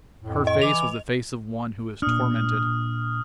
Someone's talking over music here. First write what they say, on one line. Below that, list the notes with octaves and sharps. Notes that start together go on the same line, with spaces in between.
Her face was the face of one who is tormented.
F2 A2
D#5
E3 D6 F7
A#2 D4 D#6 F6